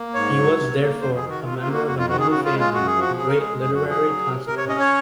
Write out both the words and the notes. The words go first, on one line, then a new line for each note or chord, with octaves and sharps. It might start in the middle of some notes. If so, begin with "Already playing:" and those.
He was, therefore, a member of a noble family of great literary consequence.
Already playing: A#3
G#2 C#5
F#3
C3
A#3
F2 C5
G#4
D#3
F#4
C3 F4
F4
A#3
F#4
F2 F#4
F4
D#3 F#4
G#4
C#3 F#4
F4
G#3
F4
F#2 F#4
G#4
F3 F#4
C#3 G#4
A#4
G#3 G#4
F#2 G#4
F#4
F3
G#4
F#3
C3
C3 A#4
C#5
C#4 D#5
C#5